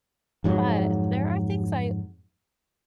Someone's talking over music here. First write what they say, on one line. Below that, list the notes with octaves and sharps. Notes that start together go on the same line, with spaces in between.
but there are things I
F2 G#2 F#3